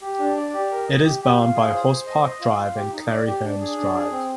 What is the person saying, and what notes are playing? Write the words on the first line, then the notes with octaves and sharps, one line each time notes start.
It is bound by Horse Park Drive and Clarrie Hermes Drive.
G4
D4
D5
G4
A#4
D#5
G4
G4
F4
G#4
C5
C5
D#5
D#5
F4
F4
G4
D#4
D5
G4
D4
G#4
D4
G#4
C4